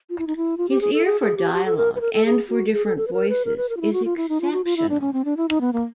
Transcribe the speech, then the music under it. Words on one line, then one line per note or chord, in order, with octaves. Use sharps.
His ear for dialogue, and for different voices, is exceptional.
F4
E4
D#4
E4
F4
G4
G#4
A4
G#4
G#4
G4
G4
A4
A#4
B4
A#4
A4
G#4
F#4
G#4
A4
A4
B4
A#4
B4
A#4
B4
A#4
F4
E4
F#4
F4
E4
D#4
F4
F#4
F4
E4
D4
C#4
C4
D4
E4
D#4
B3
A#3